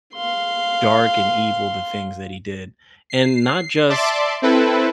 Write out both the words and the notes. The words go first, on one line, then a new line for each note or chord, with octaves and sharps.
dark and evil, the things that he did, and not just
F5 C6
C7
D5 E5 A5 C6 D6
C4 E4 A4 B4